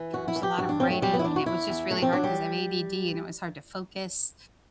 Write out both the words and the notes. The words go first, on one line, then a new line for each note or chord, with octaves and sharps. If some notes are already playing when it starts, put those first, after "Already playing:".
There's a lot of writing, and it was just really hard 'cause I have ADD, and it was hard to focus
Already playing: E3
F#2 F#4
E4
E3
G4
G2 F#4
D4
F#3 C4
A3
E2 G3
B3
E4
E2 D4
F#4
E2 E4
E2
G2 A3
C4
F#3 D4
G3